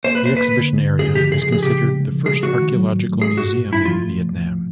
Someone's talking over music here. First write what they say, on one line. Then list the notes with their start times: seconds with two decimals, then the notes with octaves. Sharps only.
The exhibition area is considered the first archaeological museum in Vietnam.
0.04 A#3 C5
0.15 F#2 B4
0.26 C5
0.36 A#3 B4
0.53 D3
0.69 D3
0.84 G2
0.99 G2 G#4
1.15 F3 G4
1.31 C#3 G#4
1.42 G#4
1.47 F3
1.52 G#4
1.63 C#3 G4
1.78 C#3
1.95 G#3
2.10 F3
2.26 G#3 G#4
2.43 G#3 F#4
2.58 D#3
2.75 F#3
2.90 G#2
3.06 A3
3.21 G#3 G#4
3.37 G#2 F#4
3.54 G#2
3.69 G#2 E4
3.85 F3 F4
4.00 A3
4.16 F3
4.33 F3